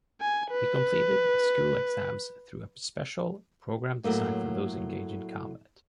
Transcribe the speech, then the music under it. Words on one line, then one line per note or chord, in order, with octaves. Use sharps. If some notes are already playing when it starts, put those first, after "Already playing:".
He completed school exams through a special program designed for those engaged in combat.
G#5
B4
A2 F#3 A3 A#3